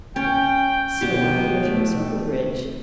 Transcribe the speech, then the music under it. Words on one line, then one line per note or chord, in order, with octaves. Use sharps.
"So I hear from Silverbridge."
C#4 G5
B2 G4
A3